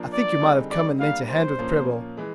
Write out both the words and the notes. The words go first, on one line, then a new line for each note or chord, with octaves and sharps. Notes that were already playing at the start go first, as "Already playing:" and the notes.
'I think you might have come and lent a hand with Prebble.
Already playing: F3 A#3 D4
D5
D3 G3 C4 D#4 G#4
D5
G3 A#3 D4 F5
C5
A#2 F3 A#3 C#4
E3 G#3